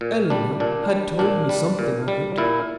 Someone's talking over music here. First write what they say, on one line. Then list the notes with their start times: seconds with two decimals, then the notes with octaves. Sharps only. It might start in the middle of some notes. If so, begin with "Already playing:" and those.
"Eleanor had told me something of it."
0.01 A#2
0.30 G3 D4
0.60 A#2 D4
0.90 G3
1.19 A#2 D4
1.49 G3
1.79 A#2
2.08 G3
2.38 A#2 E4